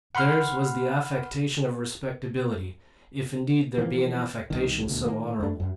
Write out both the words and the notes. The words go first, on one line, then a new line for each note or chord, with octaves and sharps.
Theirs was the affectation of respectability;--if indeed there be an affectation so honorable.
F#5 B5 C6 F6
E3 F3 A#3 C4
C2 D#3
D2 B2
A2 D#3 A3 A#3
F#2 A3 D4
F#2